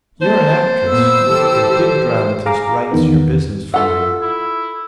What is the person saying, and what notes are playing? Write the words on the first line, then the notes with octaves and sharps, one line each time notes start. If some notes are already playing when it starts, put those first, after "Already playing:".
You're an actress, but the Big Dramatist writes your business for you.
A#3 C4 C5 A5
A#2 B3 E6
E3 G4 A4
G#4 F5 A#5 D6
E2 D#3 B3
F4 A4 E5 F#5
E4